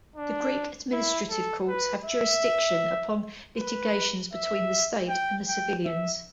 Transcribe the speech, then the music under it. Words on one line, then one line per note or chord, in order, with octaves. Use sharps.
The Greek administrative courts have jurisdiction upon litigations between the State and the civilians.
D4
E4
A4
B4
E5
B4
E5
G5
G5
E5